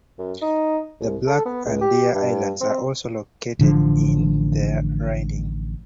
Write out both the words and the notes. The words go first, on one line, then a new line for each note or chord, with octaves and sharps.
The Black and Deer Islands are also located in the riding.
F#2
D#4
C2
A4
B3
C#2
G4
G2
C4
A1 D3 F3